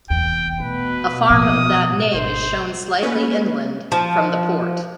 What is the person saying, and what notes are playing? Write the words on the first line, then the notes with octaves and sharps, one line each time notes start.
A farm of that name is shown slightly inland from the port.
F1 E2 G5
B2 A3 B4
A2 F3 D#6
G#1 C5
A#3 C#4 B4
F3